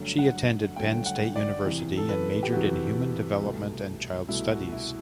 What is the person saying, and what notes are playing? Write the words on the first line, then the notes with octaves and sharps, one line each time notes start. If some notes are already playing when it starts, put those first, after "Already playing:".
She attended Penn State University and majored in human development and child studies.
Already playing: G1 G2 D3 F#3 A3
F#5
G1 G2 D3 F#3 A3 G5
F#5
D5
E2 C3 E3
A4
B4
G4
E2 C3 E3 F#4
C2 B2 A3
C2 B2 A3 E4
F#4
E4